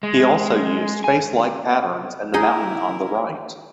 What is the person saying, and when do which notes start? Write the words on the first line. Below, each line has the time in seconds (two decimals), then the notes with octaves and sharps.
He also used "face like" patterns in the mountain on the right.
0.03 G#3
1.04 G#5
2.34 D#4 E4 G#4 A#4 D#5